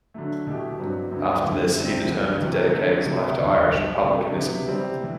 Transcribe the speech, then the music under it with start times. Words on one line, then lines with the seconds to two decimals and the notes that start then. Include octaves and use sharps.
After this, he determined to dedicate his life to Irish republicanism.
0.14 D3 F#3 A3
0.47 B2 A3 E4 G4
0.79 G2 F#3 C4 F#4 B4
1.11 D2 D3 F#3 B3
1.44 F#2 D3 A3 C4 E4
1.76 D2 C3 G3 C4
2.09 F#1 F#2 E3
2.41 C3 E3 B3 F#4 C5
2.73 D3 F#3 A3 E4 A4
3.06 C3 F#3 A3
3.38 F#1 E2 D3
3.70 B1 B2 G3 B3
4.03 C3 F#3 A3
4.35 C3 F#3 B3 E4 G4
4.68 C3 G3 C4
5.01 A2 E3